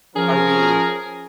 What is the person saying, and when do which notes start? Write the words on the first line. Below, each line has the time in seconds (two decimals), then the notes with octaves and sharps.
are we
0.16 F3 C#4 G#4 A#4